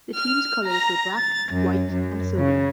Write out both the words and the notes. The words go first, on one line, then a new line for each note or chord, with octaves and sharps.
The team's colours were black, white and silver.
F6
A#5
A6
F#2
F#2
C#3